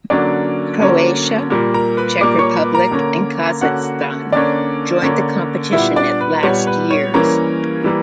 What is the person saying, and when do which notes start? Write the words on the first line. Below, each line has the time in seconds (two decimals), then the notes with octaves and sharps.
Croatia, Czech Republic and Kazakhstan joined the competition at last years.
0.10 D3 F#3 A#3 C#4 D4 D5
0.80 D3 F#3 A#3 C#4
1.50 A#2 G3 A#3
1.74 A#4 A#5
1.97 B4 B5
2.21 A#2 G3 A#3 D5 D6
2.39 C#5 C#6
2.56 B4 B5
2.73 A#4 A#5
2.91 D3 A#3 C#4
3.61 D3 A#3 C#4 F#4 F#5
4.32 D3 A#3 C#4 D4 D5
5.02 D3 A#3 C#4
5.72 A#2 G3 B3 E4 E5
5.96 D4 D5
6.21 B4
6.43 A#2 G3 B3 C#5
6.67 B4
6.91 C#5
7.14 E3 G3 A#3 C#4 A#4 A#5
7.84 E3 G3 A#3